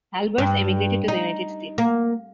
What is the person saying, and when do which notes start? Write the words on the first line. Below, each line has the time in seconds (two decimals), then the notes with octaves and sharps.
Albers emigrated to the United States.
0.38 G2
1.08 D#4
1.78 A#3